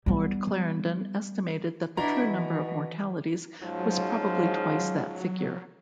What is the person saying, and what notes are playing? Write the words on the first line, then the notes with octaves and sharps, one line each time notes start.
Lord Clarendon estimated that the true number of mortalities was probably twice that figure.
G3 B3
B2 D4 E4 A#5
E3
G#2 C#3 F3 F#3